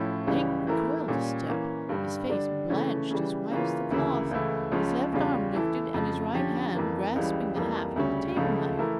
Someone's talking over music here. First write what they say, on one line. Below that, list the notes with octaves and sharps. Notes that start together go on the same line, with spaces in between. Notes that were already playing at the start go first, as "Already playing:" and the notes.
Lake recoiled a step; his face blanched as white as the cloth; his left arm lifted, and his right hand grasping the haft of a table-knife.
Already playing: A2 F3 C#4 E4
C#2 C#3 E3 G3 C#4
E3 A3 E4 A#4
A#2 G3 C#4
E3 A#3 C#4
G2 D3 G3
D3 G3 D4
C#3 E3 A3 C#4
C#3 E3 G3
C#3 E3 A#3 C#4 F4
D2 C#3 E3 A#3 E4
C#2 C#3 E3 A3 E4
C#2 C#3 F3 C#4 F4
E2 C#3 G3 C#4 F4
E3 A3 E4 A4
F2 C#3 F3
D3 F3 C#4 G4
F2 E3 A#3
C#2 C#3 E3 G3
F2 E3 G3 A#3
D2 C#3 G3 C#4
C#2 C#3 F3 A3
E3 A3 E4 A#4